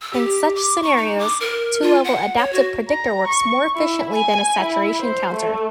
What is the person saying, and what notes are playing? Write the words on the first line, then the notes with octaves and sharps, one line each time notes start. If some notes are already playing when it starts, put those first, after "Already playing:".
In such scenarios, two-level adaptive predictor works more efficiently than a saturation counter.
E6
G4
D6
C#6
D#4
D6
A#4
F4
F#5
C#5
F#4
A#5
C#6
E4
G#5
E4
C5
A3